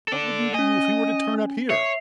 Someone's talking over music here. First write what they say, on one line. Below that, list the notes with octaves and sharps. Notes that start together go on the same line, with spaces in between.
What would you do if he were to turn up here?
A4 D5
C#4 D#5 G#5
C#5 E5 C7